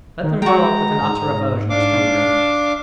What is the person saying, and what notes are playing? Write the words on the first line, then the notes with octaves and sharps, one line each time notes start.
Let them grow up with an utter aversion to strong drink.
D#3
G#3 F#4 G5 A#5
G#2
D4 F5 D6